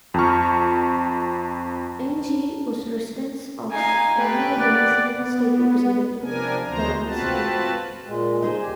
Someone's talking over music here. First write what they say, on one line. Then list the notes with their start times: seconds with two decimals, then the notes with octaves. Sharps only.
Angie was the residence of former Louisiana State Representative Lawrence A.
0.14 F2 A5 A#5 C#6 F6
3.72 D#4 F5 G#5
4.17 A3 G4 B4
4.60 D5 F#5
5.19 B3
6.22 C3 F3 D4 A#4 G#5
6.67 D2 E3 F#3 B3 C5 A#5
7.05 C4 F4 F#4 B4 A5
8.07 A#2 G#3
8.42 D#4 G#4 C5
8.62 D#2 G4 G#5